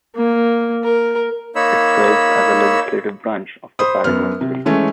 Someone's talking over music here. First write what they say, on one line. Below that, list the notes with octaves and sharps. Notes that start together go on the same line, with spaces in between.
It serves as the legislative branch of the Paraguayan state.
A#3
A#4
A#3 D#4 C#5 B5 E6
C5 B5 D#6
F#2 B3 F6
C3
E3 G#3 A3 C#4